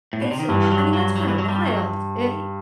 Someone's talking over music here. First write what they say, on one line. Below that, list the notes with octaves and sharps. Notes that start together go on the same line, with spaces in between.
it's i I mean, that's kinda wild, i
A2
B2
C3
D#3
G2 E3
F#3
F#3
F#3
E3
F#3
G3
F#3